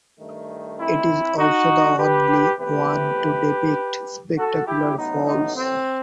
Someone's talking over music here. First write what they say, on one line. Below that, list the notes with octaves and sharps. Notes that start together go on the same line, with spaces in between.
It is also the only one to depict spectacular falls.
G2 D#3 A3
C4 E4
D#4 F#4
G4 B4
E2 C3 E3 A3 G4 B4
F#4 A4
E4 G4
A1 A2 F#3 B3 D#4
B3 D#4
C4